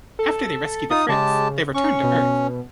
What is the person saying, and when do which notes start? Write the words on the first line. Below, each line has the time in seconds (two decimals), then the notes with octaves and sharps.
After they rescue the Friz, they return to Earth.
0.19 A4
0.91 D#4 F4 D#6
1.09 C#3 G#3 G4 A5
1.74 C#4 C#6
2.03 B2